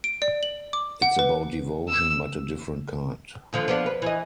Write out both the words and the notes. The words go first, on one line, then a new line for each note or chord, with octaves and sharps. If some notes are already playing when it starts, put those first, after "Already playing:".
It's about devotion but a different kind.
D7
D5
F#7
D6
F#5
B4
E6
D#2 D3 F3
F3 B3 D4
B4
E3 D#5